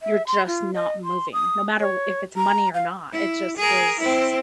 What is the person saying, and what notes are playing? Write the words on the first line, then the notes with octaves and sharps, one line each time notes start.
you're just not moving. No matter w if it's money or not, it just feels
E5
C6
F4
D#5
C6
D#6
C#5
A#5
F5
E4
G#4 A#4
C4 E4